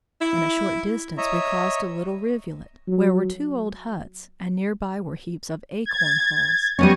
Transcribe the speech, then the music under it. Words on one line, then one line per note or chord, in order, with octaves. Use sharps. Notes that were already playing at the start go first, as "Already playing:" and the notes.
In a short distance we crossed a little rivulet, where were two old huts and near by were heaps of acorn hulls.
E4
C#5 D#5 E5 A#5
F#3
G#6 A6
G3 B3 C#4 C#6 A#6 D#7